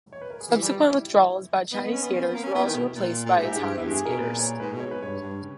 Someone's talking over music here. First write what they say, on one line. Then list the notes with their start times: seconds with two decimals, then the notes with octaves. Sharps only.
Subsequent withdrawals by Chinese skaters were also replaced by Italian skaters.
0.13 C#5
0.22 B4
0.30 A#4
0.40 G#4
0.49 E3 G4
0.63 G3
0.90 E4
1.72 B3 D#4
1.83 B3
1.93 C#4
2.03 B3
2.14 C#4
2.24 B3
2.35 A#3
2.44 C#4
2.55 B3 E4
2.65 D#3
2.75 B2
2.96 A#2
3.26 A#2
3.36 G#2 G4
3.45 E4
3.53 G4
3.57 G2
3.77 E2 E4
3.88 G2 G#4
4.05 A#4
4.08 B2
4.19 A#2 B4
4.39 C#5
4.60 G#2 B4
4.74 B2
4.80 C#5
4.87 G#2 B4
5.01 G2 C#5
5.21 G2
5.42 C#3